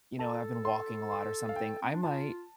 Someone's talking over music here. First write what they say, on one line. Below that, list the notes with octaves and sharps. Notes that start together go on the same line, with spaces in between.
you know, I've been walking a lot or something, I might,
A4 A5
C6
C6
F5
G5
C4
D4
F4 A5